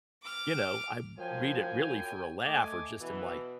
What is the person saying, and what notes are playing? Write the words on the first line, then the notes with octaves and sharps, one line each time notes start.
you know, I read it really for a laugh or just I'm, like,
D6 F6
F#2 F3 G5 G#5
A3 D#5 G#5 D6
B2 E3